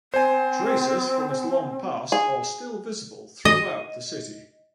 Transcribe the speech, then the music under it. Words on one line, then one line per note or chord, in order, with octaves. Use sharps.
Traces from its long past are still visible throughout the city.
C4 C5 G#5
G#4
D#5